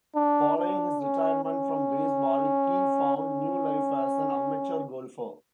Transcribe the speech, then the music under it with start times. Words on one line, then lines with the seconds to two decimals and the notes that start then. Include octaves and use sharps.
Following his retirement from baseball, Key found new life as an amateur golfer.
0.16 D4
0.58 D4
1.01 C#4
1.44 C#4
3.17 C#4